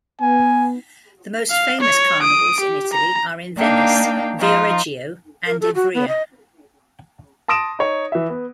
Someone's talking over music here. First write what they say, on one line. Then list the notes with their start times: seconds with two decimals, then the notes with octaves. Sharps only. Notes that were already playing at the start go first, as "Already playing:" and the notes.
The most famous Carnivals in Italy are in Venice, Viareggio and Ivrea.
0.21 B3 G#5
1.51 F5
1.81 C#5
2.21 D#6 D7
2.60 G4
2.93 A#5
3.57 A#3 D4 D#4 F5 G5
4.37 F3 D#4 F4
5.46 A#4
5.61 A4
5.75 F#4
5.94 B3
6.08 D#5
7.48 A5 C6 D#6 A#6 D7 E7
7.79 D#4 C#5
8.12 E3 E5
8.30 B3